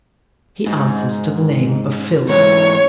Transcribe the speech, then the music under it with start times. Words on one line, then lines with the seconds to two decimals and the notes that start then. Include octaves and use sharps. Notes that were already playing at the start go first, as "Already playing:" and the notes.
He answers to the name of Phil.
0.66 G#2
2.29 G#2 E3 C#5